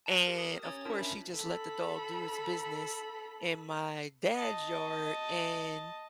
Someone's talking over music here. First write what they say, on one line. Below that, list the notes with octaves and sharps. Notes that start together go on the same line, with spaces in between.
and of course she just let the dog do its business in my dad's yard, and
A5 A#5 F#6 A#6
G4 A#4
D#6
C#4 C#5 A#5 D#6 G#6 A6
C#4 D4 F4 A#4
E5 B5
A4 B5
D#5 A5